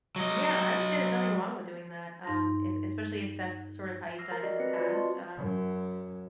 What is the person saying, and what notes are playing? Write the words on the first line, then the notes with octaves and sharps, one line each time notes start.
Yeah. I would say there's nothing wrong with doing that, um, e especially if that's sort of how you've done it in the past. Um,
F#3 D#5
G2 D#4 C6 A#6
D6 E6 F6 A#6 C7
A#4 A#5
F#4 G4 D5 D#5
C4 B4 A#6 C#7
F4 B4 C5 D5
C4 F#4 B4 D#5 A5 C6
F#2